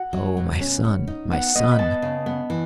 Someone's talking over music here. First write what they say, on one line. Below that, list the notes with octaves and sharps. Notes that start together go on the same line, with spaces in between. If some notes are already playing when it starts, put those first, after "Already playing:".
Oh, my son, my son!
Already playing: F#4 F#5
F#3
B2
C#4
C#4
D#4
B3 F#5
B3 D#5
B5
B3 A5
C#3
B3
E3